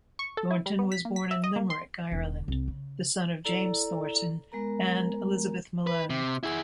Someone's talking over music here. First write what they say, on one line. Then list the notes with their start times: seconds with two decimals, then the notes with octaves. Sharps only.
Thornton was born in Limerick, Ireland the son of James Thornton and Elizabeth Malone.
0.19 C#6
0.37 A4
0.51 E4
0.66 G3
0.79 B3
0.92 B6
1.05 A#3
1.16 B6
1.31 E5
1.44 D#5
1.56 A#3
1.70 C6
2.11 E1 D4
2.48 C2
2.68 C#3
3.45 E4 A4 D5 A#5
4.52 G#3 B3 A#4 A#5
5.87 B4
6.10 C3
6.43 E4 G#4